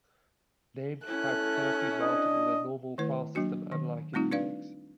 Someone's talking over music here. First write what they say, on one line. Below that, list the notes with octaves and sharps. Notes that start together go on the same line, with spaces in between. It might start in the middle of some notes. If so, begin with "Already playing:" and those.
Named pipes cannot be mounted within a normal filesystem, unlike in Unix.
A3 C#4 E4 F#6
D4 D#5
D#3 A3 E4 B4
F#3 A#3 D4 F#4
D#3
G3 A3 C4 D#4 F4
D4 B4 D5 F5